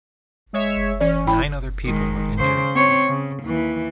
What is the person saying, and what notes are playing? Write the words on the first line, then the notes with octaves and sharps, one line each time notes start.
Nine other people were injured.
G#3 C#5 E5
E3 C#4 D5
E4 G5 B5
D#3 G#3
C#3 C5
C4 C#5
C#3
D#2 E3